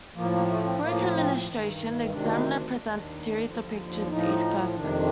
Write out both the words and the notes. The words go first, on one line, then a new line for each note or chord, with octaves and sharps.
For its administration, the examiner presents a series of pictures to each person.
A2 F3 A#3
A#3
A3
C4
A2 F3 A#3
C4
G2 D#3
D2 C3 D#3 D4
D#2 D#3
D#2 D3 F3
A2 F3 D#4
F2 C3 D#3 D4